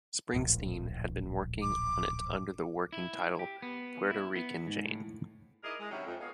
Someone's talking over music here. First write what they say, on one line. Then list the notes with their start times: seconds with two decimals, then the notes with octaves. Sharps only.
Springsteen had been working on it under the working title Puerto Rican Jane.
0.34 D1 A#1
1.62 D6
2.93 E4
3.39 G4
3.62 B3
4.10 E4
4.36 B3
4.67 G#2
4.87 A2
5.63 D#4 E4 G#4 A#4 D5 D#5
5.79 G#3
5.90 C3 D#3 F#3 C#4 D4 E4
6.06 F2
6.20 A#3 B3 G#4 C#5 F5